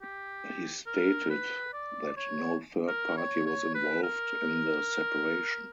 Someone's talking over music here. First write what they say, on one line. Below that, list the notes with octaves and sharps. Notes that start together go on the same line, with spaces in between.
He stated that no third party was involved in the separation.
G4
A#4
B4
D5
C#5
A#4
C#5
C#5
B4
A#4